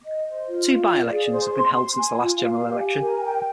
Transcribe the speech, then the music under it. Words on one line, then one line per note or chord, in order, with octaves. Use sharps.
Two byelections have been held since the last general election.
D#5
C5
F4
F5
D5
G#4
C5
C6
C6
G#5
F4
F5
G4
G#5
A#4
G5